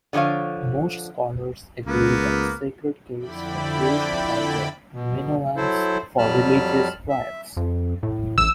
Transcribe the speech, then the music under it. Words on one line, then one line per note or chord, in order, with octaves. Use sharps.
Most scholars agree that sacred caves were used by the Minoans for religious rites.
D3 F3 F4 C#5 F5
C#2 A#3 B3 B4
F2 D3 E4 D5 G5 B5
B2
F#3 E4 A4 C5
F2 F#3 G3 A5 B5 F6
E5
F2
A2
A1 E6